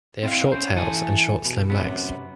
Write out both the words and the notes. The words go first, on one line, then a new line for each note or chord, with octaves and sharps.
They have short tails and short slim legs.
C4 E4 D#5 F5
C#4 C5
E3 A4 G#5
B2
F#2 C3 B3